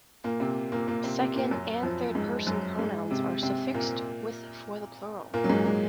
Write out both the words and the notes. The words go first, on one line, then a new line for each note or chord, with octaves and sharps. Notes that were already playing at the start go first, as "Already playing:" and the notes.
Second- and third-person pronouns are suffixed with for the plural.
A#2 A#3
C3 C4
A#2 A#3
A#2 A#3
C3 C4
C3 C4
A#2 A#3
F#2 F#3
F2 F3
G#2 G#3
F#2 F#3
G#2 G#3
C3 C4
C3 C4
A#2 A#3
A#2 A#3
F#3
G#2 G#3
G#3